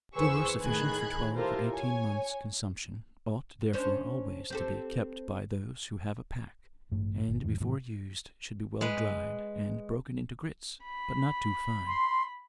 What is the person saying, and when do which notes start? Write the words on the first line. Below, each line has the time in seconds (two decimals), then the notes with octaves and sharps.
Store sufficient for twelve or eighteen months' consumption ought, therefore, always to be kept by those who have a pack; and before used should be well dried, and broken into grits, but not too fine.
0.15 E2 G#4 B4 C5 C#6 E6
0.62 A2 D#3 G#4 B5 F#6 G#6
1.33 E4 F4 G4 A4 A#4 C5
1.72 C#5 G#5
3.73 C#4 D4 C5
4.50 C4 G4 A4
6.92 A1 G2 A3
7.28 G1
7.43 E2 G#2 D#3
7.60 A2 C3 E3 F#3
8.81 G#3 B4
10.83 B5
11.86 C6